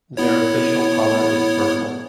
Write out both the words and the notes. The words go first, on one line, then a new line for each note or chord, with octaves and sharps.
Their official color is purple.
B3 E4 C#5